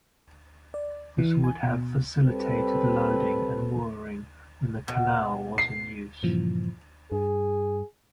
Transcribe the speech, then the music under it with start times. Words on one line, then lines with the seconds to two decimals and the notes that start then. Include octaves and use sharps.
This would have facilitated loading and mooring when the canal was in use.
0.74 D5
1.18 E3
1.44 G#5
1.63 B2
2.24 G3 C4 A4 B4
4.88 B2
5.58 C7
6.23 G2 A#2 C#3 E3 F3
7.12 G2 G#4